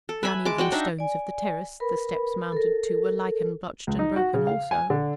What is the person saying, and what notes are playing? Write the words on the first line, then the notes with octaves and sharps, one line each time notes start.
The uneven stones of the terrace the steps mounted to were lichen-blotched and broken also.
A4
B4 E5 G#5 B5
G#3 A5 D6
F#4 D5 F#5 G5
D4 D#4 E5
D5 G#5
A#4 B4 B5
A4 A#4
C#2
D#4
F#4
C#3
F5
G#5
D3